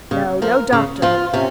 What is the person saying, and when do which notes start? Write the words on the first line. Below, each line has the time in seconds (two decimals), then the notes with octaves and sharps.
No--no doctor.
0.11 C#3
0.42 F3 A#4
0.72 C#3
1.02 F3 F4
1.33 C3 C#4